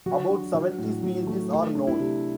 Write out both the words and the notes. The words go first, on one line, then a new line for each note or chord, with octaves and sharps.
About seventy species are known.
F#3 F#4
D4
F#3
A2
F#3
A3
A3
D4
E4
C3